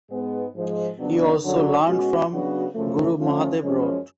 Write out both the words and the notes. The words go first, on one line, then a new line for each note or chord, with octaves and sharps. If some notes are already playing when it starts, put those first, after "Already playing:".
He also learned from Guru Mahadev Rout.
G#2 G#3 B3
G#2 F3 G#3
F2 C#3 F#3 B3 D4
F#2 D3 F#3
B2 G#3 C#4 F#4
C#3 F#3 B3 D4 F#4
F#2 C#3 F3 A3
D3 F3 A3 C#4 F4
F#2 F3 G#3 C#4